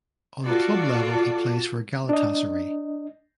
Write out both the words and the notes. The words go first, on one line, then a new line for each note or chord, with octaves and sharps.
On club level he plays for Galatasaray.
F4 F#4 A4 D5
D4 D#5